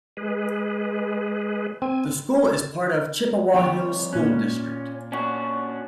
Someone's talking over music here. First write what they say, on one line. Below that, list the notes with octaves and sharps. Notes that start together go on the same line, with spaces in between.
The school is part of Chippewa Hills School District.
G#3 G#4 B4
C4 G#5
C2 F3 C#5 G5
A#2 C#4 F#6
C#4 D4 F#4